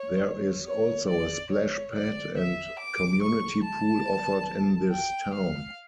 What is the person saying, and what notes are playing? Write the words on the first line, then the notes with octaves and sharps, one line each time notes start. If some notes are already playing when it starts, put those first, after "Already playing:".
There is also a splash pad and community pool offered in this town.
Already playing: C#5
C#5
D5
C#5
D5
E5
D6
C#6
A5
G5
F5